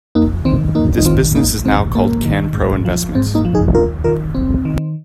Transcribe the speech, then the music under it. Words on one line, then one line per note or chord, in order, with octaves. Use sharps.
This business is now called Canpro Investments.
F2 A#3 D#4
D#3 C4
F2 A#3 D#4
D#4
D#3 C4 F4
G#2 A#3 D#4
D#3 C4
G#2 A#3
D#3
G#2
F3
G#2 C4
A#3 D#4
F3
D#4 G#4
D#2 F4 A#4
D#3 F4 A#4
D#2 C4
D#3